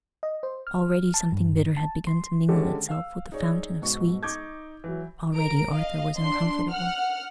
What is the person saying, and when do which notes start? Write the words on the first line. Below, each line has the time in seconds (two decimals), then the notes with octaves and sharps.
But already something bitter had begun to mingle itself with the fountain of sweets: already Arthur was uncomfortable.
0.23 D#5
0.43 C5
0.67 F6
1.14 A5
1.32 G2
1.77 A5
2.07 C6
2.49 D3 D#3 G#3 C#4 G4 A4
2.89 F5 E6
3.32 D#4 G#4 C#5 D5
3.82 G#2 B2 C#6
4.23 D#4 C#6 D6 G6 G#6
4.84 E3 F#3
5.34 A#4 A#5 D7
5.71 D#5 F5
6.17 D4 C6
6.70 F#5 F6